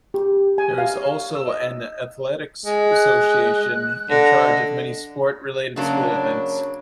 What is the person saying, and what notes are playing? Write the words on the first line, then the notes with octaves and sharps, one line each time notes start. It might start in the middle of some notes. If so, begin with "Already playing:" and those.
There is also an Athletics Association in charge of many sport-related school events.
G4
G#5
F5
C#5
E6
D#5
G#3
F#6
D3 A#6
D#5
C#3 F#3 A#3 D4